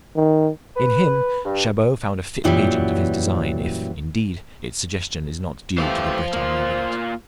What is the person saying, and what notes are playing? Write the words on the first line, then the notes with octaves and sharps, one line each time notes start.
In him Chabot found a fit agent of his design, if, indeed, its suggestion is not due to the Breton navigator.
D#3
B4
G2
F#2 A#2 E3 F#3 G3
E3 A3 G4 C5 F5
A#3 F4